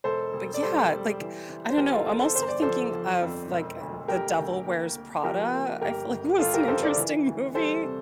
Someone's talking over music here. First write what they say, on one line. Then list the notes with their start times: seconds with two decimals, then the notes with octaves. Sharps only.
but yeah, like, I don't know I'm also thinking of, like, eh The Devil Wears Prada, I feel like was an interesting movie.
0.04 E1 A4 C5
0.33 E1
0.54 D5
0.62 G3 A4 C5
0.91 G3
1.21 E3
1.49 E3
1.70 C5
1.78 E2 G4 A#4
1.92 F4 A4
2.06 E2 F4 A4
2.21 A4 C5
2.35 G1 C5
2.48 D5
2.62 F3 A4 C5
2.93 F3
3.22 F2
3.51 E1
3.80 D2
4.08 D2 G4 A#4
4.37 D2
4.66 A#3
4.95 A#3
5.23 F3 G4 A#4
5.53 A#3
5.81 G1 G4 A#4
6.10 G1
6.39 G1 F4 A4
6.54 G4 A#4
6.68 F2 A4 C5
6.83 A#4 D5
6.97 E3
7.26 D2
7.54 G3 A4 C5
7.84 C3